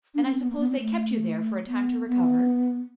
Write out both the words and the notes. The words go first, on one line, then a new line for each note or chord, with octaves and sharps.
"And I suppose they kept you there for a time to recover?"
D4
C#4
C4
B3
A#3
B3
C4
A3
B3
B3